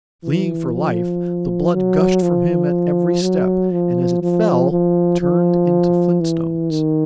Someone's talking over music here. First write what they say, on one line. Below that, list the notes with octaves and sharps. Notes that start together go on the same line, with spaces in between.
Fleeing for life, the blood gushed from him at every step, and as it fell turned into flint-stones.
E3
F3
F#3
F3
F#3
F3
F3
F3
F3
E3
D#3